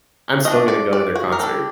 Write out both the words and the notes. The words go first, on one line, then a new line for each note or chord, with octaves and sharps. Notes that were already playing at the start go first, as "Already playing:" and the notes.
I'm still gonna go to their concert."
A3 D4 D#5
D5
D5
F#4
A#4
G3 D4 A4